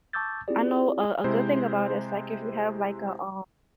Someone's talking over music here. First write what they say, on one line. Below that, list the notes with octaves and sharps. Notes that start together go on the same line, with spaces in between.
I know a a good thing about it is, like, if you have like a, um
A5 C#6 D6 E6 G6 A6
C4 E4 F4 G4 G#4 D5
C3 G#3 E4 C5